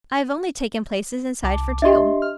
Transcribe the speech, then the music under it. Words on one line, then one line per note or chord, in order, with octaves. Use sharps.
I have only taken places inside for two.'
C2 A5 D6
D4 G4 D#5 E5 C6
F6